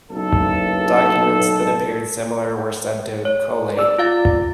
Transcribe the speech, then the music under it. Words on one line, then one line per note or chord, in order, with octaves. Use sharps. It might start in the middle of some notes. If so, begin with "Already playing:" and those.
Documents that appeared similar were said to "collate".
F#1 B1 A4
C#5
D5 E6
F4 F5 A6